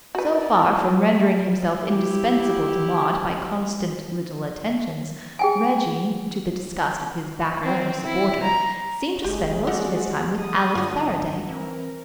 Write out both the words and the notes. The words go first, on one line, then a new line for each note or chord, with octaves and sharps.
So far from rendering himself indispensable to Maud by constant little attentions, Reggie, to the disgust of his backer and supporter, seemed to spend most of his time with Alice Faraday.
E4 F#4 A#4 B4 D5
E4 G4
G#4 G5 G#5
C4
E4
A#5
F#1 G#3 G4
F#4 G4 A4 D5 D#5 F#5
D#6
G2 D3 F4 F#4
E3 C4 A#4